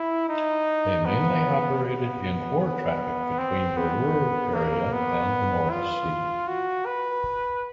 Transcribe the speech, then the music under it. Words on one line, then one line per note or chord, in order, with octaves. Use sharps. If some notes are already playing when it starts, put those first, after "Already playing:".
They mainly operated in ore traffic between the Ruhr area and the North Sea.
Already playing: E4
D#4
B3
B3
B3
C4
B3
A#3
B3
F4
F#4
B4